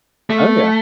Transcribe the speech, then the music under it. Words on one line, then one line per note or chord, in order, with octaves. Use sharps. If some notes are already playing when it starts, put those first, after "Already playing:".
Oh, yeah.
A3